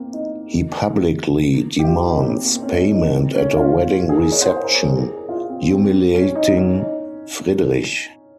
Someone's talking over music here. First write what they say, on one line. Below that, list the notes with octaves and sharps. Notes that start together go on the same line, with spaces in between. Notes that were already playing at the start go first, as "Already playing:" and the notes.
He publicly demands payment at a wedding reception, humiliating Friedrich.
Already playing: A#3 C4
D#4
G4
F4
F4
D#4
C#4
C4
A#3
C4
C#4
D#4
D#4
C4
C#4
F4
G#4
A#4
C#5
C5
C5
A#4
G4
G#4
A#4
G#4
F4
C4
C4
C#4
D#4
C#4
D#4